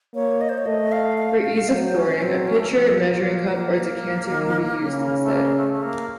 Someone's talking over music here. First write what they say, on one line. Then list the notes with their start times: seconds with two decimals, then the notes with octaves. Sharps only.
For ease of pouring, a pitcher, measuring cup, or decanter can be used instead.
0.15 A#3 C#5
0.41 D#5
0.49 C5
0.58 C#5
0.65 A3 D#5
0.92 F5
1.18 F5
1.44 F5
1.69 F#3 C5
1.95 C#4
2.16 C#4
2.21 F#3 C4
2.48 C#4
2.59 A3
2.66 A#3
2.73 F3 C4
2.99 A#3
3.24 A#3
3.51 A#3
3.76 A#3
4.28 D#3
4.79 C#3
5.23 A3
5.31 A#3
5.57 A3
5.73 A3
5.82 A#3